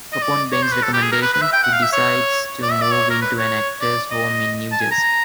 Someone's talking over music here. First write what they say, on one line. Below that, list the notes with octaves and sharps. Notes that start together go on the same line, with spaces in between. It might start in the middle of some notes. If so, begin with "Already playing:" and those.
Upon Ben's recommendation, he decides to move into an actors' home in New Jersey.
D#5
D5
C#5
C5
B4
A4
G4
G#4
A#4
B4
B4
E5
G5
F#5
F5
E5
C#5
D5
E5
D5
C#5
A#4
B4
C#5
D5
D#5
A5
G#5
A#5